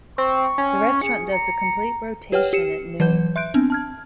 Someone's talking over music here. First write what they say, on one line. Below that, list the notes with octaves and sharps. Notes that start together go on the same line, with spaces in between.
The restaurant does a complete rotation at noon.
C4 C#6
C#4
G#4 C#7
A#5
G4 B4 C#5 F#5 G5 F6
G4 C#7 E7
E3 F#3 B4 F#5 G6
E5 C6 F#6 G6 D7
B3 C4 D4
A5 F6 G#6